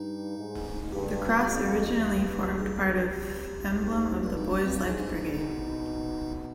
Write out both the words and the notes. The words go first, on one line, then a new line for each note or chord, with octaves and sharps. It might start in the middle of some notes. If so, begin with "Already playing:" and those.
The cross originally formed part of emblem of the Boys' Life Brigade.
Already playing: G2 D#4
G#2
G2 G4
G4
F4
F2 G4
G2
G2 G#4
G4
G#2
G2 F4
D#4
D4
C4
G#2 D4
D4
D#4
B2 D#4